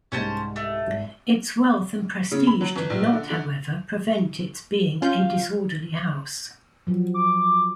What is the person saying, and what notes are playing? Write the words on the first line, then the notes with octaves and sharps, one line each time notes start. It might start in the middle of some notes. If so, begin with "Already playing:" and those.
Its wealth and prestige did not, however, prevent its being a disorderly house.
C2 G#2 C#4 C5 A5
A3
G#1
C#3
B5
F#3
G1
A#1
D3
D3
C#4 F4 F5 G6
F3 F#3
D6